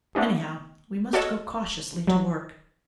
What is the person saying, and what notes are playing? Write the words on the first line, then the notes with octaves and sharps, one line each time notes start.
Anyhow, we must go cautiously to work.
A3 B3 D4 G4
F#4 A4 C#5 D#5
F#3